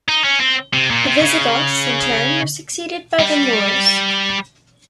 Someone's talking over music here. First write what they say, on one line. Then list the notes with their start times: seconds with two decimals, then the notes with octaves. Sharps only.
The Visigoths, in turn, were succeeded by the Moors.
0.08 D#4
0.24 C#4
0.40 C4
0.74 C3
0.90 A#2
1.07 C3
1.22 C#3
3.19 G3